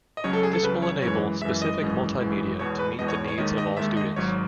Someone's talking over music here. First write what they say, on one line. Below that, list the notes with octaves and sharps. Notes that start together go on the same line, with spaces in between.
This will enable specific multimedia to meet the needs of all students.
D#5
C#2 C#3 F#3 C#5
A4
G#4
A4
C#2 C#3 F#3 B4
C#5
F#2 E3 G#3 C#5
F#2 E3 G#3 E5
D#5
G#1 F#2 E3 G#3
G#1 F#2 E3 G#3
E2 B2 G#3 C#5
B4
E2 B2 G#3 D#5
C#5
C#5
D#2 D#3 G#3 D#5
D#5
D#2 D#3 G#3 E5
D#5
G#1 G#2 F#3 C#5